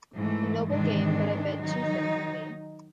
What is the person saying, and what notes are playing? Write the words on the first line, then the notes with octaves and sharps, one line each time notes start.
A noble game, but a bit too thick for me.
G#2 E3 A3
G#2 C3 D#3 E3 G#3 D4
D#3 F#3 D#4